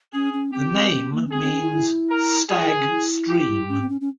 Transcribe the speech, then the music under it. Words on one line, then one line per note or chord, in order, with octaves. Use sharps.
The name means 'stag stream'.
C#4 G#4
C#4
C4 G4
C4
C#4
A#3
C#4
C4 G#4
C4
C#4
E4
E4
A#4
F4 G#4
E4
C#4
E4
G4
C#4
C4
C#4
C#4